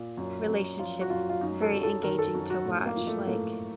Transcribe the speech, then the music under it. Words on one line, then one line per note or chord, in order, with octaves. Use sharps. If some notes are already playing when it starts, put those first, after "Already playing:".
relationships very engaging to watch, like
Already playing: A#2
F#2
F#2
F3 F4
F#4
F#2 F4
F4
F#2 D#4
A4
F#2
A4
D#3 A#4
A4
F#2 F#4
F#4
A2
A#3
F3
A3
A2 A#3